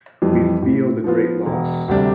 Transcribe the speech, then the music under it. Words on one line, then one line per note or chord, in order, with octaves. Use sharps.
We feel the great loss.
F2 E3 G3
A2
F3 B3 F4
E1
D2 C3 G3 D4